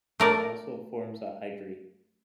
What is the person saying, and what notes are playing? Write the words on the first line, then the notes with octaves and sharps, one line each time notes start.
It also forms a hydrate.
A3 A#4 D5